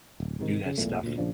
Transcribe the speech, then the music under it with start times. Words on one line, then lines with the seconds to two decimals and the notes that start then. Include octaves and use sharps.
do that stuff
0.20 D1
0.39 G#2 C3 D#3
0.66 C#3
0.78 B1 E2 A#2 A3
1.03 D2 A#2
1.18 A#1 C#3 F3 D4